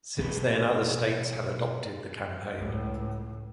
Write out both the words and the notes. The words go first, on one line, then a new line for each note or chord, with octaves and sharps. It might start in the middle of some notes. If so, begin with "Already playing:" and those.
Since then, other states have adopted the campaign.
B2 G#4 B4
C#2 A2